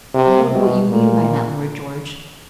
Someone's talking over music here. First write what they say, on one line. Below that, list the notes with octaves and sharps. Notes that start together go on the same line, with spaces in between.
"I don't know what you mean by that, Lord George."
C3
B2
A#2